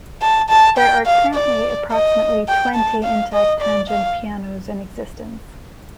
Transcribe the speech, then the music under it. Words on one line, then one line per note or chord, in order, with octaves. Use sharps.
There are currently approximately twenty intact tangent pianos in existence.
A5
A5
G5
F5
D5
D#5
G5
A5
F5
D#5
D5
F5